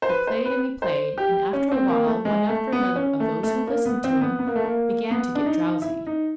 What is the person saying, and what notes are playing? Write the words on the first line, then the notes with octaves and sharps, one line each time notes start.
He played and he played, and, after a while, one after another of those who listened to him began to get drowsy.
C5
B4
C5
B4
C5
G4
C#4
C4
A#3
A3
G#3
A3
B3
C#4
A3
A3
A#3
B3
C4
B3
B3
A#3
A3
A#3
B3
D4
D#4
E4
D#4